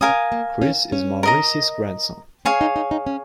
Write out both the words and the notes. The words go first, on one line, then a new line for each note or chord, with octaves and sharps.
Chris is Maurice's grandson.
C#4 A#4 F5 G#5 D#6
A#3
C#4
C#4
A#4 D#5 A#5
C#4 G#4 C#5 F5
D#4
D#4
D#4
C#4